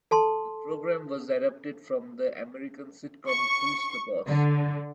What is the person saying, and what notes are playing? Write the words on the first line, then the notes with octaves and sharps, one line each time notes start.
The programme was adapted from the American sitcom "Who's the Boss?".
A4 A5 C6
C#6
D3